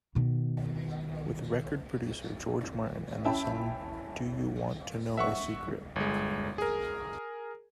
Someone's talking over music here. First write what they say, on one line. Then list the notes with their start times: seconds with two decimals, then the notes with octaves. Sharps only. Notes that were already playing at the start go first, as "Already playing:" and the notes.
With record producer George Martin, the song Do You Want to Know a Secret?
0.15 B2 D#3
3.24 C#4 E4 E5 G5 A5 B5
5.17 E5 F#5 C#6
5.96 G1 G#3
6.58 G#4 A#4